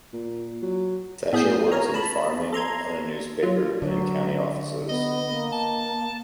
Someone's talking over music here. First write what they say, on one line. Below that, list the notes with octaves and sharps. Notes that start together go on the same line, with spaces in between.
Thatcher worked in farming, on a newspaper and in county offices.
A#2
F#3
A2 B3 G#4 D#6 G6 C7
A#4 C#5 A#5
A5 B5
A4 A#5 C6 G#6
F#3 F4
D3 F#3
B3 D#5
A#3
A5